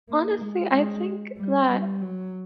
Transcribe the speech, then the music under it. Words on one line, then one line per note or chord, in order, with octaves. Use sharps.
Honestly, I think that,
A#3
G#3
G#3
G3
G3
F#3